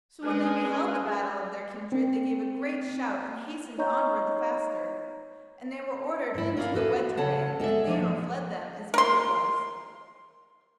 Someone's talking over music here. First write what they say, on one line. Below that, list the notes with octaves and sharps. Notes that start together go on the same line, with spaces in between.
So when they beheld the battle of their kindred they gave a great shout and hastened onward the faster; and they were ordered into the wedge-array and Thiodolf led them, as meet it was.
G#3 C#4 G#4 A#4 B4
C4
D#4 C#5 D#5 A#5 C#6 G6
G#2 E4
C#4 A#4 D5 D#5 F5
F#4 A4 B4 E5
C#3 A4 C#5 F#5 A5
G#3 A4 D5 E5
F3 A#3 D4
A#4 C6